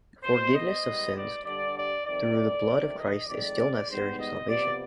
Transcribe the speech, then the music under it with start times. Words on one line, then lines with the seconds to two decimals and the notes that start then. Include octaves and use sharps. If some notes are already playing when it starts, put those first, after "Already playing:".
Forgiveness of sins through the blood of Christ is still necessary to salvation.
0.23 B2 B3 C5
0.53 D#5
0.83 G#2 G3 B3
1.15 D5
1.44 G2 D3 G3 D5
1.75 D5
2.05 F2 C3 D#3 D5
2.66 F2 C3 D#3
2.97 D#5
3.27 F2 D#3 G#3 D5
3.87 G#2 G3 B3 C5
4.18 D#5
4.48 C3 F3 B3 D5